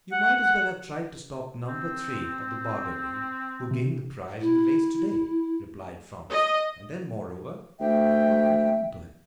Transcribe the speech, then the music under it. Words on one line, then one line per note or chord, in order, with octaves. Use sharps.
"You might as well have tried to stop number three of the barberi, who gained the prize in the race to-day," replied Franz; "and then moreover, what could happen to him?"
F#5
C4
C3
E4
D#5
D2 E5 G5